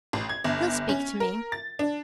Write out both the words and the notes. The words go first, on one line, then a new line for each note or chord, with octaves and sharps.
He'll speak to me.
A1
G#6
G1
C#4
A#4
A6
D4